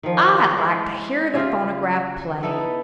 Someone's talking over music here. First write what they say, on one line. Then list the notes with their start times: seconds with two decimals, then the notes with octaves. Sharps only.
"I'd like to hear the phonograph play."
0.03 D#3 F3
0.57 G#3 E4
1.34 C#3 F4 G4 E5
2.43 B3 D#4 E4 A4